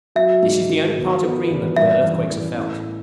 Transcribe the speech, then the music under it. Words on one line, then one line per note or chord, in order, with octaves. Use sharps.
This is the only part of Greenland where earthquakes are felt.
F#3 E5
G#2
D#3
B2
B3
E2
G2 E5
A1
A1
A2